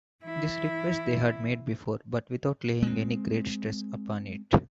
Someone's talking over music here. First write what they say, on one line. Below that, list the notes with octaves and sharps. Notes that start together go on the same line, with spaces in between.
This request they had made before, but without laying any great stress upon it.
E3 E4
G#3 C4